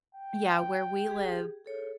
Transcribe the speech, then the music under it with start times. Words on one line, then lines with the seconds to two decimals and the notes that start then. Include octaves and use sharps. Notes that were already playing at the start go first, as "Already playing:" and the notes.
Yeah, where we live,
0.15 G5
1.07 G4 G#4
1.64 G#4 A4 C#5